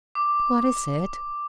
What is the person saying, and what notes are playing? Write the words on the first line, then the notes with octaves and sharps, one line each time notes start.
"What is it?"
D6